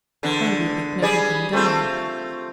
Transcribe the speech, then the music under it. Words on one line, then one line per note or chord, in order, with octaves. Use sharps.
Van Riebeek noted them down.
E2 D3 D4
G3 G#4 D5
A3 C4 F4